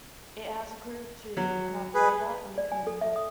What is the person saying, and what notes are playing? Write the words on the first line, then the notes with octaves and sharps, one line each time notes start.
It has a crew of two, an operator and a commander.
F#3
G#4 B4
D5
G#5
A4
E5
D#6